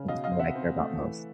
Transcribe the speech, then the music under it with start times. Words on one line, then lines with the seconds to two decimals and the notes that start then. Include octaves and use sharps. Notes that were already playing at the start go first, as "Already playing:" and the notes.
can focus on what I care about most.
Already playing: C#3
0.08 B2 D#5 F5
0.24 D#5 F5
0.32 C4
0.39 E5 F#5
0.55 C4
0.78 A3
1.00 E3